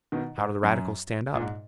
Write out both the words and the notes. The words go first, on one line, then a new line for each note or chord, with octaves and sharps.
"How do the radicals stand up?"
B2 D#3
G#2
F#2
A#2
G#2